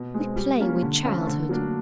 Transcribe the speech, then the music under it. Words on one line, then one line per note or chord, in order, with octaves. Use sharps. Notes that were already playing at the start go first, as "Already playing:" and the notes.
We play with childhood.
Already playing: B2
G#3 C4
G3
A#3 C#4 F4
D3
F3 A3 C#4 F4
D3
F#3 A#3 D4